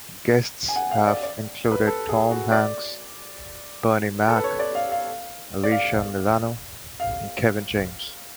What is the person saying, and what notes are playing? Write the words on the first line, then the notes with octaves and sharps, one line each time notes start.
Guests have included Tom Hanks, Bernie Mac, Alyssa Milano and Kevin James.
G#5
F#5
F5
D5
D5
B4
A4
G#4
F#4
D5
A4
B4
C#5
D5
F5
F5
D5
F5
F5